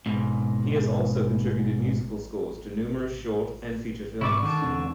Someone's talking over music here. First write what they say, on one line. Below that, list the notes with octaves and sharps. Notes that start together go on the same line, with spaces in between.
He has also contributed musical scores to numerous short and feature films.
G#2 B2
G#2 C3 E4 D5 C#6 D6
D3 D#3 A5
E2 C3 D4